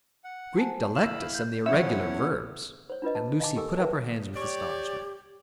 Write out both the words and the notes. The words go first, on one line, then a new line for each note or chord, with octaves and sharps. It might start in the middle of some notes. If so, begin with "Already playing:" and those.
"Greek Delectus and the irregular verbs!" And Lucy put up her hands with astonishment.
F#5
C5 G#5 A5
E4 F5 B5 E6 E7
G6
F3 C#4 E4 C#5 E5 F#5
E2
C5 C#5
D4 F4 B4 D#5
A5
D#5 F5 G#5 A5 D6
G4 A4 A#4 G#5 D6 E6
A#4 B4 E5 G5 A5
G4 C#5 D5